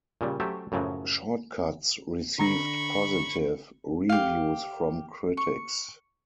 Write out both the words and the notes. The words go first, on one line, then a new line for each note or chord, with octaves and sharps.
"Short Cuts" received positive reviews from critics.
A#2 C#3 G3
F#3 A3 C#4 G4 C5 E5
F#2 A2 C#3 F3 F#3
D3 A#5 B5 C#6 A#6
G4 F5
C#6